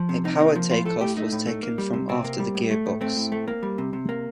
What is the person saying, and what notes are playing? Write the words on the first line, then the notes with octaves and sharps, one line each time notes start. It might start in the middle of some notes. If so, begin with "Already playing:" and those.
A power take-off was taken from after the gearbox.
Already playing: F3
C3
C3 D#4
A#3
F3
A2 F4
A3 A4
A2 G4
A3 D#4
A2
A3
A#3
G3
C3
C3 C4
A#3
G3
A2
A3
A2
A3 C4
A2
A3
A#3
G3
C3
C3
A#3